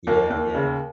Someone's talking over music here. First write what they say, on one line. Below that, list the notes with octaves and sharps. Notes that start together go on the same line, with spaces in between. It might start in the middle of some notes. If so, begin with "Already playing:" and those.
Yeah, yeah.
D#2 A#3
D#2
C#3